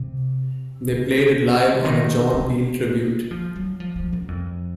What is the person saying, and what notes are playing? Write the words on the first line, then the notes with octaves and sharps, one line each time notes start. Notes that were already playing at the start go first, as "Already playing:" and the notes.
They played it live on a John Peel tribute.
Already playing: C3
C#3
D#3
G#3
F3
F#3
F3
F3
F#2
F2